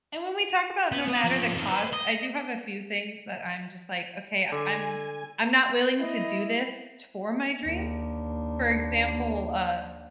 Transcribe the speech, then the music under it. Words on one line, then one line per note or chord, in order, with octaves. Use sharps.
and when we talk about no matter the cost, I do have a few things that I'm just like, "Okay, I'm I'm not willing to do this for my dreams." For example, uh,
B3
B3
F3 C#4
F2 D#3
B4 C5
D#5
D3 G#5
E4 D#5
D#2 D4